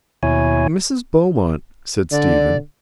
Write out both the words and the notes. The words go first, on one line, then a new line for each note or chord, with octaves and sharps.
"Mrs. Beaumont," said Stephen.
D#2 B2 E4 C#5 G#5
D3 D5